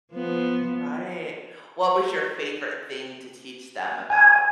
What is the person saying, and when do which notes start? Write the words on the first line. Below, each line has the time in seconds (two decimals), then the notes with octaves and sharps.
Right. What was your favorite thing to teach them about,
0.13 F3 B3
4.10 G#5